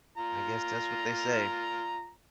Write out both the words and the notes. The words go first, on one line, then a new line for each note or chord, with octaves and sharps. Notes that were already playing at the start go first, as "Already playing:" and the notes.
I guess that's what they say.
F4 A#5